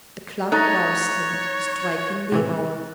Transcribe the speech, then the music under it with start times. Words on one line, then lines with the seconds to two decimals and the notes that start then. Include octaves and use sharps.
The clock roused him, striking the hour.
0.52 A3 D#4 C#5 F#6 A6 A#6
2.32 A2 C3 E3